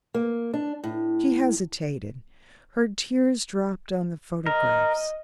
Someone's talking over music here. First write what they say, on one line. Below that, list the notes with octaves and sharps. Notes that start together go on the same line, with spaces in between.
She hesitated; her tears dropped on the photographs.
A#3
D4
A2
A#4 D#5